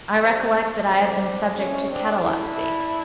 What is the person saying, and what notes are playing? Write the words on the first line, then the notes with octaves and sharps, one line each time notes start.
I recollect that I have been subject to catalepsy.
C3 D#3 G3 C4
E2 B2 F#3 A3 C4 D4
A2 F3 A3 C4 C#4
C4 D4
F#2 D3 G3 D4 E4